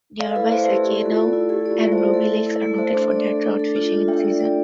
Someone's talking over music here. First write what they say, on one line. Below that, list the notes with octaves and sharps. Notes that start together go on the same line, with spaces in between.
Nearby Sakinaw and Ruby Lakes are noted for their trout fishing in season.
A4 D5 F5
E4 B4 D5
A3 C5 E5
G4 A4
G4 D5
F4 A4
D5
E4
G4 A4
D5
F4
A3
C5 E5
D5
A4
A4
E4
A3
A4 C5 E5
D4
D5
A4
D4
A4
F4
F4
D4 E5 G5
D5
D5